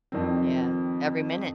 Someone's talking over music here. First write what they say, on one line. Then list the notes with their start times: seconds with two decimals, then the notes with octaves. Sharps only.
Yeah. Every minute.
0.12 F2 D#3 C4